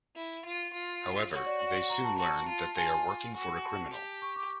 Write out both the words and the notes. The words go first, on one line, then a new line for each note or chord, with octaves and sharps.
However, they soon learn that they are working for a criminal.
E4
F4
F4
F#4 C#5
D5
F#5
F#5
A#5
A5
F#4 A5
F4
F4 G#5
G#5
G#5
F#4
A5
G4
C#6
D6